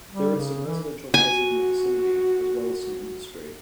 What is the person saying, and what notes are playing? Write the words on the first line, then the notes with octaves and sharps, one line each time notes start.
There is some residential housing in the vicinity, as well as some industry.
G3
C#3
E3
F#4 G#5